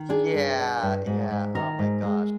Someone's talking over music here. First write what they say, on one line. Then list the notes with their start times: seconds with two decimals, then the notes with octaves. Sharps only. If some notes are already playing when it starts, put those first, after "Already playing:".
Yeah, yeah, oh my gosh.
Already playing: D#3
0.09 D4 G#4
0.33 G2
0.58 D4
0.82 G2
1.07 G#2
1.31 G#2
1.55 D#3 A#4
1.79 G#2
2.03 G#3